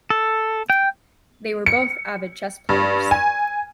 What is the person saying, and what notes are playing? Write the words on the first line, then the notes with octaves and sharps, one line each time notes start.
They were both avid chess players.
A4
G5
C#7
G2
G#5